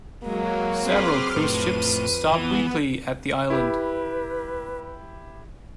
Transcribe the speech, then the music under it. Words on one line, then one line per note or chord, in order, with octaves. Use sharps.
Several cruise ships stop weekly at the island.
F#3 G#3 A#3
C4 G#4 B4 C6 D6 F6
F2 A2 B4 D#7
E3 B3
E4 G4 B4